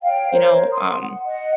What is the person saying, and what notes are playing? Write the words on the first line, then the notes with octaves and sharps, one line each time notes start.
you know, um,
C#5 F5 G5
A#4 C5 C#5
C6 D#6
F#5
D#5 F#5